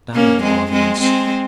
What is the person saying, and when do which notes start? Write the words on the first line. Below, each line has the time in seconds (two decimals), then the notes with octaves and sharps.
Damnable arguments!
0.14 A#3 C#4
0.43 G#3 C4
0.72 G#3 C4
1.01 G#3 C4